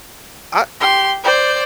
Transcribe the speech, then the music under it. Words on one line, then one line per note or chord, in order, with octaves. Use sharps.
I I
G4 C6
C5 D5